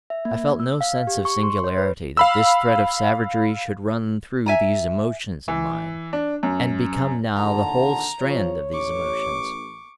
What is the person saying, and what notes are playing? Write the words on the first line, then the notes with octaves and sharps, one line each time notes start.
I felt no sense of singularity that this thread of savagery should run through these emotions of mine and become now the whole strand of these emotions.
E5
A#3
E6
F5
G4
C#6
C6
C#5
B4
F5 B5 E6
E5 G#5 A#5
E3
D4
F#2
D#2 A#2 D3 A5 A#5
F3 C#5
A1 C#6 D6